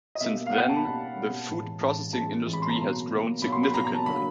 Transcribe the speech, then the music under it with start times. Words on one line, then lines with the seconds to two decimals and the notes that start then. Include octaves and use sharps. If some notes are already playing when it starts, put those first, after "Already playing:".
Since then, the food processing industry has grown significantly.
0.15 D#5
0.21 B2 G3 A#3 E5
0.46 F5
0.52 B2 G3 A#3 F#5
0.61 G5
0.69 A5
0.77 B5
0.85 B2 G3 A#3 A5
1.17 B2 G3 A#3
1.49 A2 E3 G#3
1.81 A2 E3 G#3 A5
2.13 A2 E3 G#3 A5
2.45 A2 E3 G#3
2.53 B5
2.62 C6
2.70 A#5
2.78 B2 F#3 A#3
3.10 B2 F#3 A#3
3.42 B2 F#3 A#3 B5
3.52 C6
3.63 B5
3.74 B2 F#3 A#3 A#5
3.85 A#5
3.95 A5
4.06 D3 F#3 A#3 B5